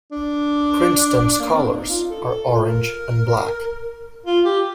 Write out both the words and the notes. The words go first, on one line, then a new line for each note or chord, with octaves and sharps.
Princeton's colors are orange and black.
D4
A#3
C4
D4
D#4
F4
A4
A4
F4
A#4
F4
G4